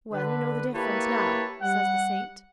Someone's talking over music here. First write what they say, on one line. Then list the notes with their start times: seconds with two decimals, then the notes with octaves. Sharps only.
"Well, you know the difference now," says the saint.
0.13 D3 B4
0.74 A#3 E4 G4 B4 C#5 A5
1.62 G3 F#5